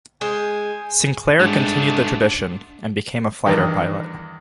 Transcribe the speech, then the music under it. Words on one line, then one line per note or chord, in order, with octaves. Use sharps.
Sinclair continued the tradition and became a fighter pilot.
G#3 C5 G#5
G#2 G3 A3 D4
E2 G2 D#3